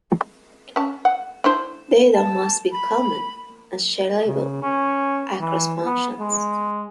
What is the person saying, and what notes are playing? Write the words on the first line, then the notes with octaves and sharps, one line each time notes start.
Data must be common and shareable across functions.
C#4 A5
F#5
D4 E4 C5
A5
B5
C#3
C#4
E3
B3
G#3